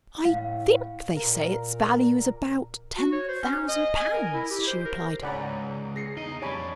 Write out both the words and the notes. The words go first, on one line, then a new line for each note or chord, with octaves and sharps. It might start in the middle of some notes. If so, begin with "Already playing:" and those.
"I think they say its value is about--ten thousand pounds," she replied.
A2 F5
A#2 A#4
F#4
C#5
C5
C#4
D#5
G#5
A#4
E4
G4
C5
A#4
C#2 G#2 C#4 D5 F#5 A#5 B5
G#4 A#6 C7 C#7
E2 D#4 D#5
F2 G3 D4 C#5 G#5 B5